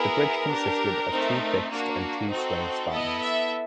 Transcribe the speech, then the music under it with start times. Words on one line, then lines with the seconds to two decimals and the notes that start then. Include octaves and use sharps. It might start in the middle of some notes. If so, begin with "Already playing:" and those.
The bridge consisted of two fixed and two swing spans.
Already playing: B3 E4 G#4 A#4
0.50 D4 G4
1.10 A3 C4 D#4
1.71 A#3 D4 F#4
2.31 C4 D#4 F#4 A4
2.91 B3 E4 A4 D#5
3.21 E5